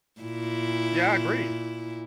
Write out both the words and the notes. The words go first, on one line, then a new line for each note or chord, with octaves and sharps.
Yeah, I agree.
A#2 E4